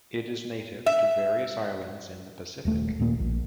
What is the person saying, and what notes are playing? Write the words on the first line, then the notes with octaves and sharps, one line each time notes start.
It is native to various islands in the Pacific.
E5
D#1 A3
D#1 A#2 A#3
A#1